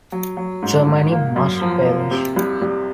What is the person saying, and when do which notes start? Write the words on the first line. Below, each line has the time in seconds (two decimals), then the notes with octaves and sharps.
Germany Must Perish!
0.12 F#3
0.37 F#3
0.63 G#2
0.87 G#2
1.12 A#3
1.36 F#2
1.62 F3
1.86 A#3
2.11 C3
2.36 C2
2.62 C2